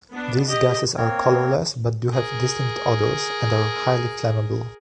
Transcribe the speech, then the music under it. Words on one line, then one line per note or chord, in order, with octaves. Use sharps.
These gases are colourless, but do have distinct odours, and are highly flammable.
B3 D4
G4 D#5
A#3 C4 A#4 C#5
G#4 A#4